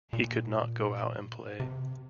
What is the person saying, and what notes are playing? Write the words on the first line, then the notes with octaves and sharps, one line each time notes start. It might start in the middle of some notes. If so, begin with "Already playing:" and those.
He could not go out and play.
A#2
C3